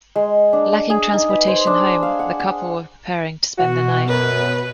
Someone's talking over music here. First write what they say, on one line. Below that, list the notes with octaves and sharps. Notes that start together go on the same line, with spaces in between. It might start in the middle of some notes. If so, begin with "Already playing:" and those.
Lacking transportation home, the couple were preparing to spend the night.
G#3
D4
G#4
D#4
B4
C5
D4
F5
F#5
F#5
B2 F#4
F#2 B4